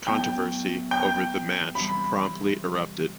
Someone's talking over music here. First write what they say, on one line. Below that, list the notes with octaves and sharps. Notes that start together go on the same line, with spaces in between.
Controversy over the match promptly erupted.
A2 F#3 B3 G5
G5
E2 C3 E3 G3 C4 B5